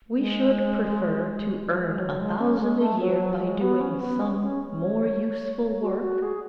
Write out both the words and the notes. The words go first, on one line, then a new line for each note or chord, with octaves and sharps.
We should prefer to earn a thousand a year by doing some more useful work.
G#3
F#3
G#3
F#3
G#3
C#4
G#3
A3
F#3
F#3
G#3
B3
C#4
B3
C#4
C#4
C#5
F#4
F#4
G#4